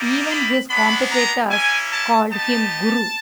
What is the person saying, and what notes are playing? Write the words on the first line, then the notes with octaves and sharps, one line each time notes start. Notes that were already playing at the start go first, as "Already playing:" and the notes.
Even his competitors called him guru.
Already playing: G3 A#3 D#4
B5
G#3 B3 D4 B5
A#5
A#3 C#4 E4 G#5
A5
B3 D#4 G4 A5